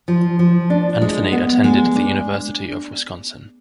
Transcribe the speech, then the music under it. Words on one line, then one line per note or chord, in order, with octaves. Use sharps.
Anthony attended the University of Wisconsin.
F3
F3
D4
G#3
B3
G#3
D4